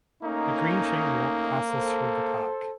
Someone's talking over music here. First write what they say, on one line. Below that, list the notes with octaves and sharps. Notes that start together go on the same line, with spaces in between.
The Green Chain Walk passes through the park.
A3 A#3 C#4 D#4
A4 C5